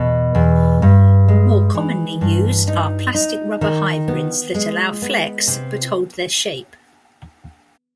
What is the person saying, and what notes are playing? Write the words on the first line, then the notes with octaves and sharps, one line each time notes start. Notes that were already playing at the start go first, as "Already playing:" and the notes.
More commonly used are plastic-rubber hybrids that allow flex but hold their shape.
Already playing: E2 B2
E2
G2
G#3
E3
G2
D#4
D#4
D#3
B3
G#3
B3
C3